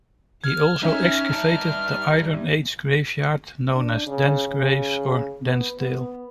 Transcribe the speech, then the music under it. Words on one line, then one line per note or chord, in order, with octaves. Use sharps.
He also excavated the Iron Age graveyard known as Danes Graves, or "Danesdale".
F6 G#6
C#4 D#4 E5
G2 A5
D4
C#3
C#3
B3
B3